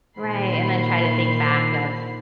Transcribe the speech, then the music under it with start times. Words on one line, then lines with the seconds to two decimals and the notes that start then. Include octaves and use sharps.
Right, and then try to think back of,
0.19 A#2 D#3 C5 B5 C7